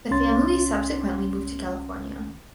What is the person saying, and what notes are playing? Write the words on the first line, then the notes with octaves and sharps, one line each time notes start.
The family subsequently moved to California.
C2 C#4 C6 A6